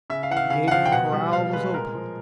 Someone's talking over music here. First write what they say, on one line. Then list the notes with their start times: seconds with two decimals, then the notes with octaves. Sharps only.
The gate of the corral was opened.
0.10 C#3 E5
0.23 F5
0.30 E3 F#5
0.37 F5
0.50 C#3 F5
0.68 F#5
0.71 F3 F5
0.86 G5
0.92 B2 F#5
1.12 G3
1.33 B2 F5
1.53 G#3 B4
1.74 A#2 A#4
1.95 F3